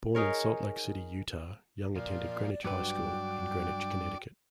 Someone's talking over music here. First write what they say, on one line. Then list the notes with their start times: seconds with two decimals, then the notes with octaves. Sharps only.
Born in Salt Lake City, Utah, Young attended Greenwich High School in Greenwich, Connecticut.
0.15 D#4 G#4 A#4 C#5
1.95 A#2 F3 D5
2.64 G2 F#3 D4 F#4 B4 D5 G5